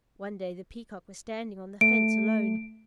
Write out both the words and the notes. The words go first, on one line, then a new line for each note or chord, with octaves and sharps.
One day the Peacock was standing on the fence alone.
A3 D7